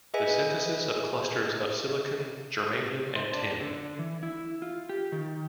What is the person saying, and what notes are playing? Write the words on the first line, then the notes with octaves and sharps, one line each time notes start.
The synthesis of clusters of silicon, germanium, and tin.
G#4 B4 D#5 E5 G#5
C5
D4
D3
E3
E4
F4
G4
D#3